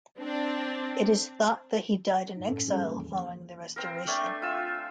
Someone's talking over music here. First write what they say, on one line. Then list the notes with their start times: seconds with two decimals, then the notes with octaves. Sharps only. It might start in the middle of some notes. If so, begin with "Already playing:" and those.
It is thought that he died in exile following the Restoration.
0.19 C4 D4
2.37 G2 D#4
2.48 A2 C#4 A4
2.68 G3 C#4 G#4
2.85 A#3
2.97 E2 E3
3.76 C4 A#4
4.07 A3 D4 G5 G#5
4.42 F4 E6